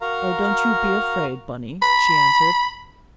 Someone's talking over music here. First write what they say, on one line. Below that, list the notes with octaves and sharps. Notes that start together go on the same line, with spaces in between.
"Oh, don't you be afraid, Bunny," she answered.
F#4 A#4 F5 A#5
B5